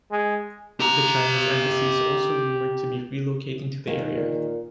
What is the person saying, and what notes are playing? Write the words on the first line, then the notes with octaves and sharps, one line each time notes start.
The Chinese Embassy is also rumoured to be relocating to the area.
G#3
G4 A#5
D#3 A#3 G#4
A#2